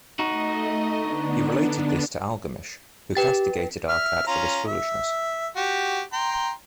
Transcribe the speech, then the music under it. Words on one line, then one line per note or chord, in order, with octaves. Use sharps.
He related this to Algamish, who castigated Arkad for this foolishness.
A3 D#4 F#4 D#5
D3 B3 D4
G4 B4 G5 A6
E5 F6
C#4 F4 A#5
E5
F#4 G4
G5 A#5 C6